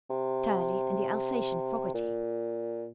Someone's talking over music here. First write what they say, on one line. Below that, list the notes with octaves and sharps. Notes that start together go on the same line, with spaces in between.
Turley, and the Alsatian Foggerty.
C3
A#2